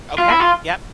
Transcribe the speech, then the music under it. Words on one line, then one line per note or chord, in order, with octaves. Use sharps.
Okay, yep.
F4
E4
F4